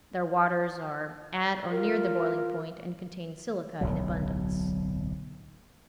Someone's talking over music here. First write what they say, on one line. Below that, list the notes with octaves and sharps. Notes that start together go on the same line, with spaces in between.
Their waters are at or near the boiling point and contain silica in abundance.
F4 A#4
D1 B1 F#3